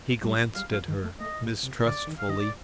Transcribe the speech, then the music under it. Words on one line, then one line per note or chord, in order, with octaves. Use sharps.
He glanced at her mistrustfully.
G3
G3 F5
F3 F5
D#3
A3
A3 D#5
A#2
C3
D3 D5
D#3
F5
D#3 D#5
D5